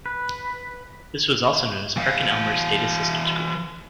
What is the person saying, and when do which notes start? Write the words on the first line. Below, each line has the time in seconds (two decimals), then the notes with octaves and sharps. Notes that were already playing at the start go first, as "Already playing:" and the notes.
This was also known as Perkin-Elmer's Data Systems Group.
0.06 B4
1.97 E3 F5